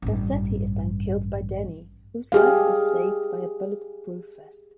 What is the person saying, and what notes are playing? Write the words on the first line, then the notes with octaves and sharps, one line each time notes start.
Garcetti is then killed by Danny, whose life was saved by a bulletproof vest.
A1 G2
G4 G#4 F5